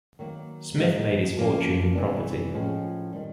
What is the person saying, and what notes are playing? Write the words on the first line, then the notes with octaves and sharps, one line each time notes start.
Smith made his fortune in property.
D#3 F#3 A#3
G#2 D#3 G#3
F3 A#3 C#4
C3 E3 G3 B3 D4
A2 F3 G#3 C#4 F4
D#3 G3